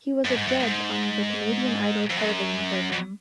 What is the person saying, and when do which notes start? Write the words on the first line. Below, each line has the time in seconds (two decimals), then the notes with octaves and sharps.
He was a judge on the "Canadian Idol" television program.
0.25 F#2
0.36 G#2
0.47 F#2
0.60 F#2
0.63 G#2
2.10 F2
2.18 F#2
2.93 F2